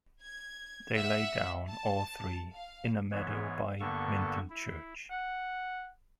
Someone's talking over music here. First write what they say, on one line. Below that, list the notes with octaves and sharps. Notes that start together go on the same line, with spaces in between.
They lay down, all three, in a meadow by Minton Church.
G#6
E5 F#5
A5
F5
G#2 E3 B3 C#5
G2 D3 A#3 B3 A4 C#6
E4
F#5